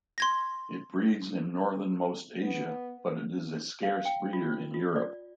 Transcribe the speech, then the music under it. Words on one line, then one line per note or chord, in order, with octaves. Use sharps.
It breeds in northernmost Asia, but it is a scarce breeder in Europe.
C6 G#6 A#6
B3
F5
G5
F4
F4
D5